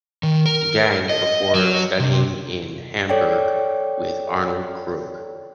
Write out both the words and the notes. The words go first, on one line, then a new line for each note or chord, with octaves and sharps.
Gänge, before studying in Hamburg with Arnold Krug.
D#3
A#4
D#5
F#3
C3
A4 C#5 D5 G5